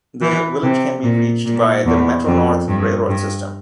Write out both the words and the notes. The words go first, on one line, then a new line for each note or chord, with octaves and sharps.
The village can be reached by the Metro-North railroad system.
E3
C3
A#2
A#2
E2
F2
G2
G2